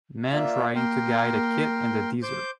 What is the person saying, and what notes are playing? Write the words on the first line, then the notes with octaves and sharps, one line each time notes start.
Man trying to guide a kit in the desert.
A#3 F4 D5 E5
A#3 A#4 G5 C6
C5 D6 G6